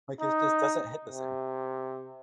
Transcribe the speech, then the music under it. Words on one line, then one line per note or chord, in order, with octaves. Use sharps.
Like, it just doesn't hit the same.
D#4
C3